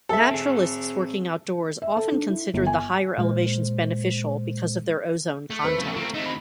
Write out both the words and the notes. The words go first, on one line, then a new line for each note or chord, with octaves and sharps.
Naturalists working outdoors often considered the higher elevations beneficial because of their ozone content.
A4 E5
C4 G#4
E5
A4
D4
E4
G1
G#5
A#2 G#3 C5
A3
D#2 C4 B4
E2 C#3 F3
C4 F4 A#4
A3 C4 D#4
D2 B5